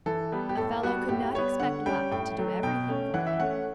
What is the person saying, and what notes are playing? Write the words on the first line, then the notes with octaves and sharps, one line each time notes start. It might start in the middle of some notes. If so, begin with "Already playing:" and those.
A fellow could not expect Luck to do everything for him.
E3 A4
G3 B3
G4
A2 A4
G3 B3 F#4
A2 G4
G3 B3 C#5
D3 F#5
G3 C#4 G5
A2 G5
F#3 A3
B2 G5
A3 C#4
E3 F#5
E5
A3 C#4 F#5